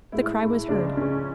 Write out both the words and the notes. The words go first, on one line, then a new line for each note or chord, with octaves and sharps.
The cry was heard.
A2 G#3 E4
A2 G#3
C#2 C#3 G#3 D4
C#2 C#3 G#3 C#4